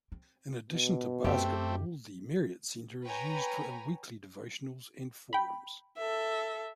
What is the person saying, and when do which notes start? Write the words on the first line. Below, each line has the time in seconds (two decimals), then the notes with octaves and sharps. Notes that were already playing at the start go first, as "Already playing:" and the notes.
In addition to basketball, the Marriott Center is used for weekly devotionals and forums.
0.12 C4
0.70 B2
1.24 F#2 A3 C4 G4
3.05 B4 C#5 G5 G#5 A#5 B5
5.33 G5 B5
5.97 A4 E5